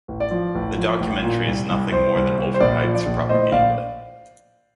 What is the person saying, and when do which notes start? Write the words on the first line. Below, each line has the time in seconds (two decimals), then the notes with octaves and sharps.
The documentary is nothing more than overhyped propaganda.
0.08 A1
0.20 D5
0.31 F3
0.55 A1
0.78 F3
1.00 A1
1.23 A#2
1.47 C2
1.69 C2
1.91 C2 C5
2.15 C2
2.38 C2
2.54 C5
2.60 A#1 D5
2.84 F3
2.95 D5
3.06 A#1
3.29 A2 C5 D#5
3.52 A#1 D5 F5